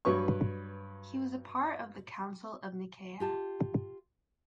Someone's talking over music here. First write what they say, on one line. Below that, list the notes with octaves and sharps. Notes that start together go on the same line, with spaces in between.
He was a part of the Council of Nicaea.
G2 F#3 B4 C#5 C#6
F4 G4 A5